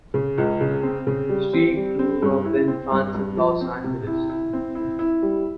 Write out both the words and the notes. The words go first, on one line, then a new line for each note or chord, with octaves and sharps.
She grew up in France and Los Angeles.
C#3
C#2
C#3
C4
C#3
G3
C4
G3
C4
G2
E4
C4
G2
G2
F3
C4
C3
E4
E4
C4
E4
E4
G3